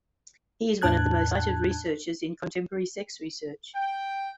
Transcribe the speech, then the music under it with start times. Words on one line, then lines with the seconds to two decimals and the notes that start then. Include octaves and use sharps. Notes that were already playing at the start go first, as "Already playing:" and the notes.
He is one of the most cited researchers in contemporary sex research.
0.81 E2 A2 D4 A5 F#6 G#6
3.75 G5